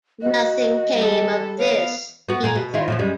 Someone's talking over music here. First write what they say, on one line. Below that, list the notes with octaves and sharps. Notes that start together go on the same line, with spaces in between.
Nothing came of this, either.
F#4 D#5
G3 A4
B3 C#5 F5
B3 F#4
A#2 G#4 A#4
B2
D#3 E4 F4
A#2 D3 F3
F#2 G3 G#3